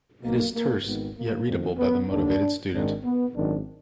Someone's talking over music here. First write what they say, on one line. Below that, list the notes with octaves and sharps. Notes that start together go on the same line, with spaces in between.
It is terse, yet readable by the motivated student.
B1 B2 A#3
A#3
G#1 G#2 D#3 B3
A#3
F2 D#3
B3
D#2 D3 D4
G#1 G#2 D#3 D4
B3
G#1 F#2 D#3 D4